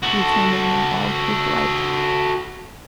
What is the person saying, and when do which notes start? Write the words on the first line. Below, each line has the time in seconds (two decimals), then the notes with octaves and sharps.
You came in and all grew bright.
0.03 F#4 A4